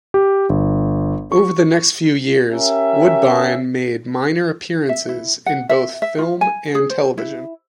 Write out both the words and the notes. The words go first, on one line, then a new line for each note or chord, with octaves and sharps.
Over the next few years, Woodbine made minor appearances in both film and television.
G4
G1
C#6
C#4 G4 A#4 E5
E5
E4
F#5
E5
E5
F4
G#5
G#4
C5
E4